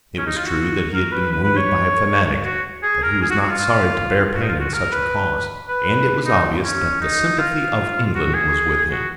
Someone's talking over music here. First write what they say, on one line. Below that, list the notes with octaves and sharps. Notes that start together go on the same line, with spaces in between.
It was true that he had been wounded by a fanatic, but he was not sorry to bear pain in such a cause, and it was obvious that the sympathy of England was with him.
C#4
D#4
F4
F#4
A#4
B4
B4
B4
C#5
F#4
G#4
A#4
G#4
F#4
F#4
F4
F#4
D#4
F4
F#4
A#4
B4
B4
D#4
C#4
D#4
F4
F#4
G#4
F#4